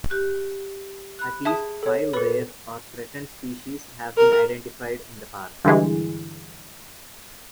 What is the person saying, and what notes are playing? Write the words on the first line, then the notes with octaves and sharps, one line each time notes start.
At least five rare or threatened species have been identified in the park.
G4 F#6
B5 F#6
G#4 E5 A5 D#6
A4 C#5
A#2 A4 B4 B5
A#4
G2 D3 E3 G#3